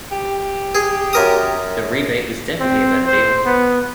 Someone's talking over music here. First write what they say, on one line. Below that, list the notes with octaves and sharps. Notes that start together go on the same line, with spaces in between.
The rebate was definitely a better deal.
G4
G#4
F#2 A#4 D#6
C4
C5
B3